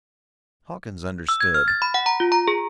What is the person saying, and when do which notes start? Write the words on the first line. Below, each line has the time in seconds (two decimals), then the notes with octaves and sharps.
Hawkins understood.
1.29 E6
1.41 G#6
1.54 F6
1.68 A6
1.82 B5
1.94 F#5
2.06 A#5
2.20 F4
2.32 A#5
2.48 G#4